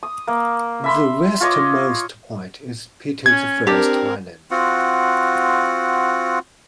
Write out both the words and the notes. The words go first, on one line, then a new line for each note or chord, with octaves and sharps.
The westernmost point is Peter the First Island.
D#6
A#3
E5 B5 C6
F4 C#5 D#5 D6
C#4 G#6
C4 D4 G4 A#4
C4 F4 F#4 F#5